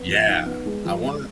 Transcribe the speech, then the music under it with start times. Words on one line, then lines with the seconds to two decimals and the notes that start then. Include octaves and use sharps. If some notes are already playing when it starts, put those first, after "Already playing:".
Yeah! I wanna
Already playing: B3
0.08 F3
0.27 D#4
0.46 B3
0.66 G#3
0.85 F3
1.04 G#3